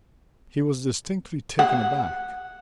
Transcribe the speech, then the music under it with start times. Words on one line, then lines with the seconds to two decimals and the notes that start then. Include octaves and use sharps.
He was distinctly taken aback.
1.59 F#5